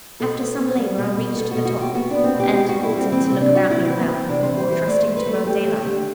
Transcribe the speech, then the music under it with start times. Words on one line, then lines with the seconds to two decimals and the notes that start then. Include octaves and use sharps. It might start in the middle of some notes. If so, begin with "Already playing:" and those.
After some labour, I reached the top; and halted to look about me well, before trusting to broad daylight.
0.20 B2 A4
0.39 B3
0.59 B3
0.78 G3
0.98 B2
1.17 B2
1.36 B3 A4
1.51 B2 F#4
1.65 F#4
1.76 B3 G4
1.95 B3 F#4
2.10 B3 D4
2.24 C4
2.35 B2
2.40 G4
2.53 B3 G4
2.69 G3 F#4
2.83 E4
2.93 G3 C4
3.12 E3 C4
3.26 C4
3.31 C3
3.41 D4
3.51 G3 F#4
3.70 C3 E4
3.85 C4
3.90 E3
3.99 B3
4.09 E3
4.14 C4
4.28 C3 D4
4.43 C5
4.49 E3
4.58 C5
4.68 E3 C5
4.87 A3 D5
5.03 A3 C5
5.17 B4
5.26 A3
5.32 A4
5.45 A3 G4
5.65 A3
5.76 G4
5.85 D3